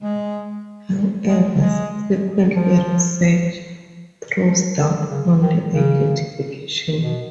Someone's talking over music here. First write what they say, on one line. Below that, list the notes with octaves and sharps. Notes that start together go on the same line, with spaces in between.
However subsequent research throws doubt on the identification.
G#3
G#3
G#3
F3
F3
D#3
C#3
D#3
C#3
B2